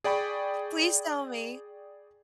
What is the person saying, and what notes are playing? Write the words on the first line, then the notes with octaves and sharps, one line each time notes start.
Please tell me.
G#4 D5 G5 B5 C#6